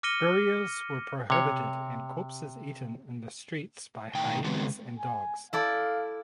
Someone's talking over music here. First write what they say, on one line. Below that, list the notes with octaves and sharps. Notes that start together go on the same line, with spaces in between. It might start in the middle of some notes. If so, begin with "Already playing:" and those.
Burials were prohibited and corpses eaten in the streets by hyenas and dogs.
D6 F6 A#6 C#7 D#7 G7
C3 C#5
A2 D#3 G5
C#3 F#3 G#3 B3 C4 G4
G#5
E4 A4 D5 F5